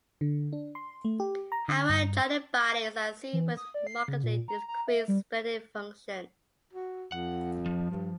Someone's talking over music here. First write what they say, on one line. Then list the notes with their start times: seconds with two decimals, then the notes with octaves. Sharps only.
Howell-Jolly bodies are seen with markedly decreased splenic function.
0.21 D3
0.53 D4
0.75 C6
1.05 A3
1.20 G4
1.52 A#5
1.68 D3
1.89 G2
3.33 E3
3.57 D#6
3.74 D5
3.87 C7
4.08 C#3
4.23 A#2
4.48 A#5
4.68 A#5
4.88 E5
5.08 G3
6.73 F#4
7.12 F2 F#5
7.66 F3
7.90 G2